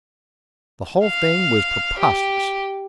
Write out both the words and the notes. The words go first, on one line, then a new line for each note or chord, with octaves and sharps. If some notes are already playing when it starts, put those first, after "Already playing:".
The whole thing was preposterous....
F5
G4